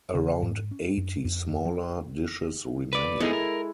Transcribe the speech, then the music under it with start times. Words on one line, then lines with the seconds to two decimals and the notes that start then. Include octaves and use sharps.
Around eighty smaller dishes remain.
0.15 C#3
0.43 G#2
0.71 C#4
0.97 F#2
1.25 F2
1.65 F3
2.93 B4 D5
3.20 G#3 B3 D#4 E4 G#4 A4
3.33 A#4